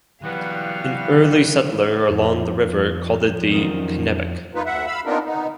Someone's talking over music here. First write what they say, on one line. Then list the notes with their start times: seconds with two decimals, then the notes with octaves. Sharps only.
An early settler along the river called it the Kenebec.
0.24 E3 F#3 G3 B3 F#4 F5
2.10 F2 F3
3.52 F#2 D#3
4.54 A#3 D#4 F4 B4
4.66 D2 E5 F#5
4.86 F5 B5 E6
5.06 B3 C4 D4 D#4 F4 A#4
5.25 B3 D#4